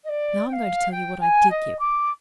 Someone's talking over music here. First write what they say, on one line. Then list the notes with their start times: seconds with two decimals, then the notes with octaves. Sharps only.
Now I'm going to tell you what I did give.
0.04 D#5
0.08 D5
0.47 G5
0.52 F5
0.91 G5
1.20 G#5
1.50 D#5
1.79 D6